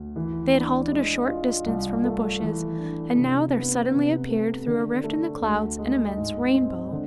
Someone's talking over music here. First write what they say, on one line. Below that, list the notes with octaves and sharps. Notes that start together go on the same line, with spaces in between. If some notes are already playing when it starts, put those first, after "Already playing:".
They had halted a short distance from the bushes and now there suddenly appeared through a rift in the clouds an immense Rainbow.
Already playing: D2
E3
D4
G#3
F4
C2
A3
E3
D4
C3
B3
C3
A3
D3
A3
D2
G#3
G#2
C4
D3